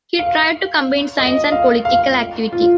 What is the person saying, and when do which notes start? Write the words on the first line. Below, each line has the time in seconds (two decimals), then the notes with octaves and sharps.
He tried to combine science and political activity.
0.19 F5
1.19 D#5
1.52 F5
1.85 F5
2.53 F4